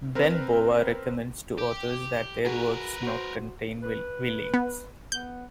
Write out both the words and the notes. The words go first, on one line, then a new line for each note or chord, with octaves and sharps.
Ben Bova recommends to authors that their works not contain villains.
C4 A#4 B4
G4
F#4 G#4 A#4 B4
F#4 C5
B4
B3
B3 G6